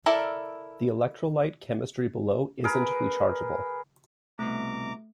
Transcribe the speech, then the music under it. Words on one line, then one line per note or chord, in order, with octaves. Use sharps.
The electrolyte chemistry below isn't rechargeable.
E4 A4 A#4 D5
G#4 A#4 B4
C2 B2 A3 A#5 D6